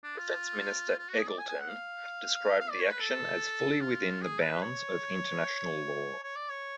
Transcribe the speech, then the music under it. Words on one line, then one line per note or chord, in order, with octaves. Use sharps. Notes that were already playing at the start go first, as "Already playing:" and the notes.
Defence Minister Eggleton described the action as fully within the bounds of international law.
D4
F4
F4
F#4
G#4
D5
G#5
G#5
F#5
F5
F5
D5
C#5
B4
A4
F4
G#4
B4
C#5
C#5
D5
C#5